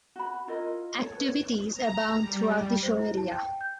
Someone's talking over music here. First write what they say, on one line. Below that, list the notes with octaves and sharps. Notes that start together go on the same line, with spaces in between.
Activities abound throughout the show area.
F#4 B5
E4 F4 A#4 D#5
A4 C#5
B4 C#5
A#5
G3
C5
E4
A5
G5
G6